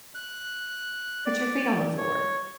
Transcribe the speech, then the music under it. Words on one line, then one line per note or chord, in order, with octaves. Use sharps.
put your feet on the floor
F#6
D5
C#5